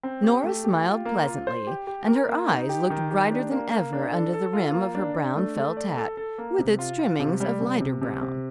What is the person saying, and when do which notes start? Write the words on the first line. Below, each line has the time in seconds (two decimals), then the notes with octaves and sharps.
Nora smiled pleasantly, and her eyes looked brighter than ever under the rim of her brown felt hat, with its trimmings of lighter brown.
0.03 C4
0.24 G4
0.44 A3
0.64 G4
0.85 F4
1.05 A#3
1.27 F4
1.47 C5
1.67 G4
1.87 G4
2.07 A#4
2.28 A#3
2.48 D#4
2.69 G4
2.90 D#3
3.11 G4
3.31 D4
3.52 A#3
3.71 A#3
3.93 D4
4.13 A4
4.33 A4
4.53 F4
4.74 A#3
4.95 D4
5.14 D4
5.36 A3
5.56 A3
5.77 D5
5.97 A4
6.17 A4
6.38 A#3
6.58 C3
6.79 F4
6.99 F4
7.20 C3
7.40 G3
7.61 C3
7.81 C3
8.02 C3
8.21 C3